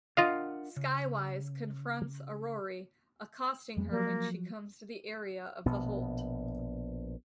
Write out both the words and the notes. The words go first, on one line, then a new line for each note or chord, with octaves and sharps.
Skywise confronts Aroree, accosting her when she comes to the area of the holt.
D4 F4 A#4 D#5 F5 F#5
C#3
F2 G3 G#3
F3 F#3 A#3
A#1 B2 B3